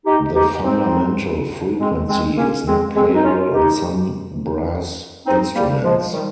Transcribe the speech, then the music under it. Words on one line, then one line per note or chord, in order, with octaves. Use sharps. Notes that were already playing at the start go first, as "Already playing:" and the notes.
The fundamental frequency is not playable on some brass instruments.
D#4 G4
D#4 G4
C4 D#4
G#3 C4
G#3 C4
A#3 C#4
G#3 C4
G#3 C4
D#4
C#4 F4
D#4 G4
C4 D#4
G3 A#3
F3 G#3
D#3 G3